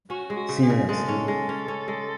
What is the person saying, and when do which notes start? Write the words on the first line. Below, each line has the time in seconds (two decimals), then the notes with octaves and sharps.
See you next year.
0.10 C#4 F#4
0.30 G#3
0.36 F#4
0.49 C#3
0.63 G#4
0.70 C#3
0.89 G#3 A4
1.08 C#4
1.28 G#3
1.49 C#4
1.68 C#4
1.88 G#3